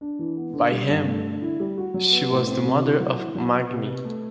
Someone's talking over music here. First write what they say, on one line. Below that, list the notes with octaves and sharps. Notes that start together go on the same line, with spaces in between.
By him she was the mother of Magni.
D4
E3
B3
D3
G3
G2
A3
D3
E4
G3
F#4
F#3
B3
A2
C4
C3
E4
F#3
E4
F#3
B3
C3
B4
A3